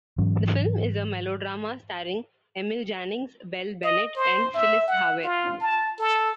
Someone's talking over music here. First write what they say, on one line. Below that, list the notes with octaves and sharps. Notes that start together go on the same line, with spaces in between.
The film is a melodrama starring Emil Jannings, Belle Bennett, and Phyllis Haver.
G#2 E3 F#3 C#4
D#5
C5
E5
F#5
F4
A5
A4